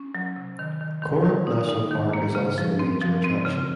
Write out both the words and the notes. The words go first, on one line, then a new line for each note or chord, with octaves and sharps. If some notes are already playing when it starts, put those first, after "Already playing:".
Korup National Park is also a major attraction.
Already playing: C#4
F#3
C3
D#3
D#3
D#3
D#3
D#4
D#4
D#3
A#3
C#3
F3
C4
F3
C4
C#3